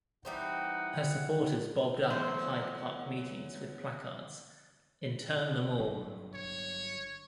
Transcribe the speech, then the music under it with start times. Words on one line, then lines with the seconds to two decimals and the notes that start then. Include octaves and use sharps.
Her supporters bobbed up at Hyde Park meetings with placards: "Intern Them All".
0.25 E3 G3 C4 D#4 F#5
2.10 E2 F#3 G#3 A3 B3 C5
5.79 G1 F#3 D4
6.34 C#5